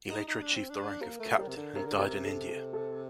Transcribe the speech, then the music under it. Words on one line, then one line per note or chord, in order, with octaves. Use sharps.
He later achieved the rank of captain and died in India.
D#4
D#4
D4
C4
D4
A#3 A#4
A3
G3 A#4
C3
D3
C3 A#4
D3
C3 A#4
A4
A4
A4